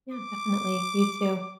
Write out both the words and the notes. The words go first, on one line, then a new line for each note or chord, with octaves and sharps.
Yeah, definitely, you too.
D6